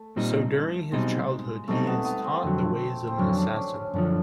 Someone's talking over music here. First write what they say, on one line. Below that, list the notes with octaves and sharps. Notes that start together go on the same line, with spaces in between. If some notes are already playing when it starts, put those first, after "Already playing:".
So during his childhood he is taught the ways of an assassin.
Already playing: A3
A#2 G3 C4 D#4
B1 B2 G3 G#3 C4 D#4
B1 B2 G3 A3 C4 D#4
B3
B3
C4
F2 D3 F#3
C4
F2 D3 F#3 C#4
D4
C#4
C#4
F#2 D3 F3 D4